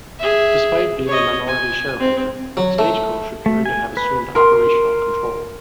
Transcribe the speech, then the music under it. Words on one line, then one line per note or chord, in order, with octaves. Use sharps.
Despite being a minority shareholder, Stagecoach appeared to have assumed operational control.
G#4 E5
C#5 D#5
G#5
C4
F#3
A3
A3
G#5
B4
A#4 C6